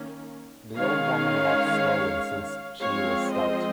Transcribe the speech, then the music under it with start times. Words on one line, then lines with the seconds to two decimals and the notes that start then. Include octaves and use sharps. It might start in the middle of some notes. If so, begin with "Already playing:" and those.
The old woman walked slowly, since she was stout.
Already playing: D#3 A#3 C#4
0.77 D#3 G#3 C#4 C#5 F5
2.81 F3 G#3 C4 C#5 F5
3.32 C5 D#5